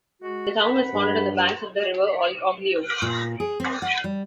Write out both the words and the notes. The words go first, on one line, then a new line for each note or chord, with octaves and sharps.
The town was founded on the banks of the river Oglio.
G#3 F#4
D#2 F#5 B5
G2
A#2
G#4
C4
F#5
G3